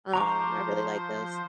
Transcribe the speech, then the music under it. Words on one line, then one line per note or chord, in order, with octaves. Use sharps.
um, I really like those.
F3 C5 A#5 C#6 D6